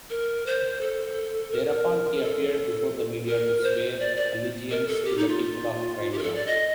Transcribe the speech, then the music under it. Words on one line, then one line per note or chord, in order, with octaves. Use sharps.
Thereupon he appeared before the media to swear allegiance to the people of Crimea.
A#4
C5
A4
A#4
A4
A#4
C5
D5
D5
A#4
A4
G4
D#4
F4
G4
A#4
A4
D5
D#5